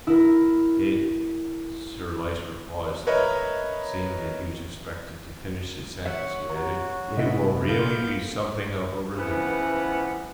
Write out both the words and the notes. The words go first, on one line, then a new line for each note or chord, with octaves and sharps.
It----" Sir Lyster paused; then, seeing that he was expected to finish his sentence, he added, "It will really be something of a relief.
E4 A#4
A#4 B4 C#5 D#5 E5 A#5
C#5 E5 F#5
F#4 G4 A#5
C3 B3 D#5 E5
A4 F5 G6
C#3 E3 F3 B3 F#5